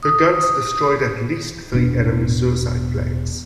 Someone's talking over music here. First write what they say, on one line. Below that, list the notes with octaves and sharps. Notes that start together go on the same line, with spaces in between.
Her guns destroyed at least three enemy suicide planes.
D#6
E1 B2 B3 D4